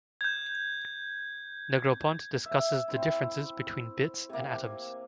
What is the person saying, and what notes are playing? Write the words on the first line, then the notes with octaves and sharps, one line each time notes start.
Negroponte discusses the differences between bits and atoms.
G6 G#6
E5
C4 E4
C3 A#3